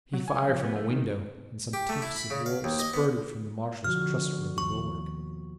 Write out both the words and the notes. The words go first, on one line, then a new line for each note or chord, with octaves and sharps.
He fired from a window, and some tufts of wool spurted from the marshal's trustworthy bulwark.
F#3
G#5
F2
B3
A3
D#3
G4
A3
E4
B5
C#3
F5
D#2
D#5
B3
B2 D3 F3 F#4 F6
D#2 C#6